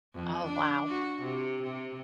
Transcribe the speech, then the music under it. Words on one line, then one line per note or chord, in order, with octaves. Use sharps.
Oh, wow.
F2
D4
F#4
C3
C3